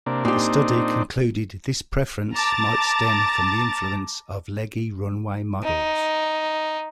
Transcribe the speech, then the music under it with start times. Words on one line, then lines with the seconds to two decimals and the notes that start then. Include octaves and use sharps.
The study concluded this preference might stem from the influence of leggy runway models.
0.06 C3 A#3 D4
0.25 A#2 C4 D4 D#4 G4
2.34 A5 A#5 D6 A6
5.64 D#4